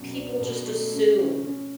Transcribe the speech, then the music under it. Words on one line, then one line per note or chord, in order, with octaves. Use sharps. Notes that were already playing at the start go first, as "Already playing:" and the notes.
people just assume
Already playing: F#2 B2
D4
B2
A3
C#4
C#4
C#4